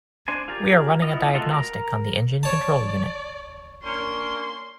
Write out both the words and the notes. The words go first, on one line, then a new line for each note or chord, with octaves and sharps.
We are running a diagnostic on the engine control unit.
D4 C5 G#5
F4 G4 G#4 A#4 D5
B3 E4 F4 D#5
G#3 A3 F4 F#4 A4
A#4 A#5
C#5 D5 A5
A#3 C#4 D4 C6 C#6